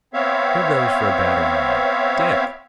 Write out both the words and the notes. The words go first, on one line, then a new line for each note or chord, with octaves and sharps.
Here goes for a battering-ram, Dick!'
B3 C4 C#5 E5 F5